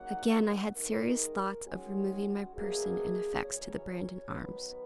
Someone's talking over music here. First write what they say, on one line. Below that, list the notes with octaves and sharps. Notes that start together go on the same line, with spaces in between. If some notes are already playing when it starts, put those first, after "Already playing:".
Again I had serious thoughts of removing my person and effects to the Brandon Arms.
Already playing: C#3 F#3 A#3 D#4 F#5
F#5
E2 D#3 G#3 D#4 A#4
D#3 G#3 C#4 F#4
E2 B2 F#3 A#3 G#4
F#2 C#3 E3 C#5
C#5
D#3 F#3 B3 B4